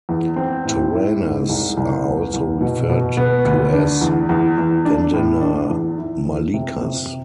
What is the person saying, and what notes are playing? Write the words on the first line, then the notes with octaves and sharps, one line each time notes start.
Toranas are also referred to as vandanamalikas.
E2
C4
A2
E4
G#2
C2
C2
B3
C2
B2
B2
B3
D2
D4
E2
E2
E2
D4
A2
D4
E2
E4
E2
C3
C3